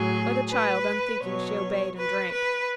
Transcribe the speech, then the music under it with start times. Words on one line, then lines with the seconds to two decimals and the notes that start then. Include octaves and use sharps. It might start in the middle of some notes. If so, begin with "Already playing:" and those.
Like a child, unthinking, she obeyed and drank.
Already playing: A2 F#3 G#4
0.50 B4
1.23 B2 F#3 C#5
1.96 B4
2.33 B4